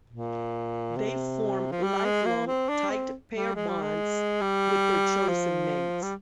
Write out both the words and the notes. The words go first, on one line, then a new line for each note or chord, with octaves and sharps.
They form lifelong, tight pair bonds with their chosen mates.
A#2
C3
F3
G3
G#3
A#3
C4
D4
C4
G3
G#3
G3
G#3
G3
F3
G3